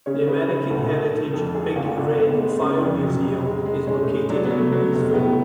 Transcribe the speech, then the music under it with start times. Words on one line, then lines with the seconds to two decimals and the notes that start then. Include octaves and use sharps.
The American Heritage "Big Red" Fire Museum is located in Louisville.
0.06 C#3 C#5
0.28 C#3 B4
0.49 C#3 B4
0.70 D2 A4
0.92 D3
1.12 D3
1.33 F2 A4
1.54 D3 G#4
1.76 G#1 F4
1.96 G#1 D4
2.18 G#1 B3
2.39 G#3 A3
2.61 C#3 C#4
2.82 F2 D4
3.03 F#3
3.24 F1
3.45 G#3
3.66 G#3
3.87 G#3 C#4
4.01 A3
4.09 G#3
4.30 F#3 D4
4.44 B3
4.51 F#3
4.59 A3
4.72 F#3 B3
4.93 F1 A3
5.14 A2 B3